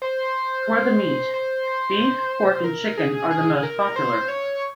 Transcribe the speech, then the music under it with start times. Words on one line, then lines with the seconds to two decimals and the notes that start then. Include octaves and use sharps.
For the meat, beef, pork, and chicken are the most popular.
0.02 C5
1.34 C5
2.64 A#4
2.98 G#4
3.31 G#4
3.63 A#4
3.96 C5
4.28 C#5